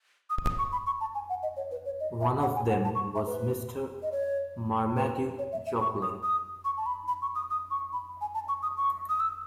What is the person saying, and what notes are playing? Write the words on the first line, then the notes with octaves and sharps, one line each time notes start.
One of them was Mr Marmaduke Jopley.
D#6
D#6
C#6
B5
C#6
A5
G#5
F#5
D#5
C#5
B4
C#5
D#5
E5
F#5
G#5
F#5
A5
C#6
E5
B4
D#5
C#5
B4
C#5
E5
E5
C#6
D#6
D#6
C#6
A5
B5
B5
C#6
D#6
D#6
C#6
B5
G#5
A5
C#6
D#6
C#6
D#6
E6